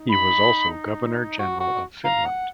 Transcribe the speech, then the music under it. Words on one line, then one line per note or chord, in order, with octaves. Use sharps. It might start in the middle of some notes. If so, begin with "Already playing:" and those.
He was also the Governor-General of Finland.
Already playing: D#4
B5
F#4
F#4
F5 A#5
F#5